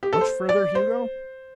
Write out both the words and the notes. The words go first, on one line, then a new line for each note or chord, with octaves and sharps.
"Much further, Hugo?"
G4
A4
C5
D5
C5